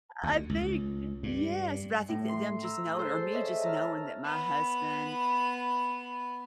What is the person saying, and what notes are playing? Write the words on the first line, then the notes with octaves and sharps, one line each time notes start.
I think yes. But I think that them just knowing or me just knowing that my husband
D2
C#2
G2
A2
C6
A#5 E6
G#4 A4 C5
C#5 D#5 E5
A5 A#5 E6 F6
B3 B5